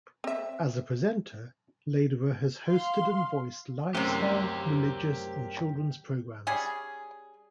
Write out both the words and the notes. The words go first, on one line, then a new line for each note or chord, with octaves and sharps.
As a presenter, Lederer has hosted and voiced lifestyle, religious and children's programmes.
C4 E5
F5 C6
F#2 C3 A3 G4 A#4 C5
G3 C#4 G#4